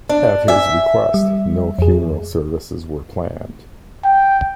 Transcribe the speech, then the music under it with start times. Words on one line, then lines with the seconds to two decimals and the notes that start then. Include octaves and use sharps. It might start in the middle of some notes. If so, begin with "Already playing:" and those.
At his request, no funeral services were planned.
0.09 D4
0.48 D5 E5 G#5
1.14 G3
1.79 F2 G#4
4.05 G5